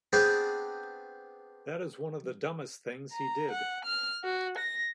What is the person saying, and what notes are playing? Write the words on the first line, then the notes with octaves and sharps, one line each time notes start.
That is one of the dumbest things he did.
B3 C4 D4 G#4 C5 G5
A#5
F#5
F6
F#4
A#6